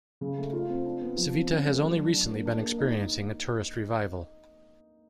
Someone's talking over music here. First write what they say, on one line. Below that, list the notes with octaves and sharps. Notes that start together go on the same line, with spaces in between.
Civita has only recently been experiencing a tourist revival.
C#3
A3
F4
C4
D4
B3
F3
C4
C#4
A3
F#3
D4
D4
A#3
D4
A#3
D#4